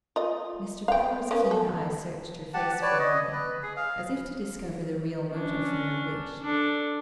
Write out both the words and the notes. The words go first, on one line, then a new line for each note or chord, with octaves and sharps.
Mr. Power's keen eye searched her face for a moment, as if to discover the real motive for her wish.
F4 D#5
F5 G5
A#3 B3 C#4
A4
G4 F#5 A5
B4 C#5 D5
D#5
B4
G#4
F5
C#4 D4
D4 A4